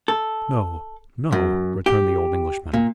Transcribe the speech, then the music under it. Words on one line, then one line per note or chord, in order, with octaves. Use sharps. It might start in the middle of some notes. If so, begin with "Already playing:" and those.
"No--no," returned the old Englishman.
A4
F#2
G4
A#2